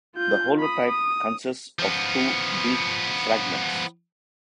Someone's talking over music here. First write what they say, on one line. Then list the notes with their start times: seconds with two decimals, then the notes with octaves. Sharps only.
The holotype consists of two beak fragments.
0.15 F4 G6
0.59 B5 D#6
0.88 D#6
1.79 F3 B3